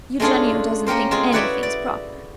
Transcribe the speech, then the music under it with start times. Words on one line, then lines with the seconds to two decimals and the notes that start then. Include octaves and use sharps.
"Eugenio doesn't think anything's proper."
0.20 G#3 A3 C#4 D4 F4 G#4
0.87 A#3 C#4 G4 A#4 C5
1.11 G#3 C4 F4 G#4
1.32 E4 F#4 B4 C#5 D5 E5
1.63 D5